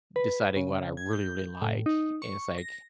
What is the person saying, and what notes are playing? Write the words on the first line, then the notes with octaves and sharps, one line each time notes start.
deciding what I really, really like and it's like,
B4
C#3
G#6
G6
A2
D#4
C#6
A#6